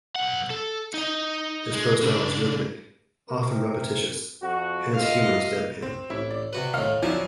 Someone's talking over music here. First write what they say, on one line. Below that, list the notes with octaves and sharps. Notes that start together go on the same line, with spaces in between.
His prose style is rhythmic, often repetitious, and his humour is deadpan.
B1 F#5
A4
D#4 D#5
G#3
C#3 D4
C3 C4 A#4
F2 F#4
E2 F4 D#5 F5
C4
A1 E4
D5
C3 F#4 B4
A2 D#3 F5 F6
F3 F#3 D4 E4 G#5